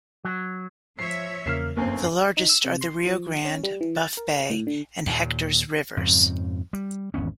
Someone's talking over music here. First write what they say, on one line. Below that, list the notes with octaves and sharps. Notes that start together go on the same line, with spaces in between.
The largest are the Rio Grande, Buff Bay and Hectors rivers.
F#3
F3 C#5 E5 C7
E2 C#3 A#3 F6 C7 E7
G1 F#2 A#3 C4 G#5
D#4
E6
C3
C6
F3
C#4
G3
E3
A6
A#4
A2
D3
D#2 A#2
F2 G#2 C#3
G3
G#1 E2 B3 C#4